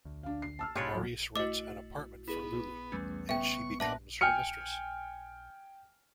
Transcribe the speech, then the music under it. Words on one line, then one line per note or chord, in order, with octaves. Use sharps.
Maurice rents an apartment for Lulu and she becomes her mistress.
D2
D4 F5
C7
A5 E6 F6
G#2 B2 G#3 D4 F4 G4 C#5 B5
E2 A2 F#3
A3 E4 F#4 D#5 D6
B3 E4 G#4 B4
E2 G3 A3 C#4
C#3 B3 E5 G5 C#6
A#2 D4 B4 E5 F#5 A5 F#6 A#6
G5 G#5 F6 C#7